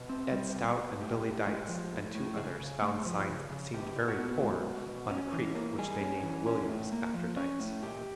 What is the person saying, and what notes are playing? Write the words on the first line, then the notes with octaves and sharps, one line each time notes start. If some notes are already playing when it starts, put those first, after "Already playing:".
Ed Stout and Billy Deitz and two others found signs that seemed very poor on a creek which they named William's after Deitz.
Already playing: B2
C4
G3
B2
B2
A2 G4
A2
G#3
F3
A2
A2
C#3 G#4
C#3
A3
F3
C#3
C#3
B2 G4
B2
F#4
B3
G#3
B2
B2
C#4
E3
A#3
G3 G#4
C#4
E3
C#4
A2
A#3
F3
C#4
A2
A#2 G4